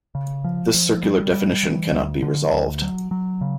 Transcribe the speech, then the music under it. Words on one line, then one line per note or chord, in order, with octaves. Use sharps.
This circular definition cannot be resolved.
C#3
F3
F3
G3
G3
E3
D2
D3
D2
F#3
F#3
C#3